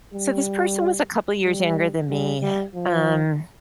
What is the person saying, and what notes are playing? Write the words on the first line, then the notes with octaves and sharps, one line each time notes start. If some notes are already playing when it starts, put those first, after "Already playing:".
So this person was a couple years younger than me, um,
G3
G3
G3
G3
F3